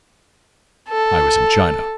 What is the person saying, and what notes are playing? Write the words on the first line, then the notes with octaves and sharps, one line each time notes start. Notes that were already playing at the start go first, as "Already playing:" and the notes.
I was in China.
A4